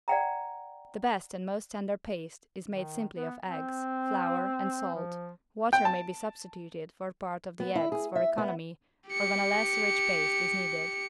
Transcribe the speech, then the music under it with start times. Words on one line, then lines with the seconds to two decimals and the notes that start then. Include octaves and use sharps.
The best and most tender paste is made simply of eggs, flour and salt, water may be substituted for part of the eggs, for economy, or when a less rich paste is needed.
0.08 D5 F#5 G5 A#5
2.68 D#3
3.14 B3
3.44 C4
4.95 F3
5.73 G5
5.85 A5
7.60 B3
7.75 E4
7.92 G#4
8.15 E5
8.38 B3
9.09 G4 C#7